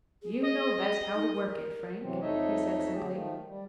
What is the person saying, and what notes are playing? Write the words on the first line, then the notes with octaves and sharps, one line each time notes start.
"You know best how to work it, Frank," he said simply.
G#4
D#5
D#4
A#4
C3 E3 F#3 C4
F2 A3 D#4 C#5 D#5 E5
D3 F#3 A3 G4 G#4
D#3 F3 A3
G3